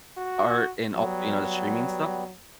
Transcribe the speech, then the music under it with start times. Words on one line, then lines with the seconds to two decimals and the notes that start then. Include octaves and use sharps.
Art and also, you know, the streaming stuff,
0.18 F#4
0.95 F#3 G3 B3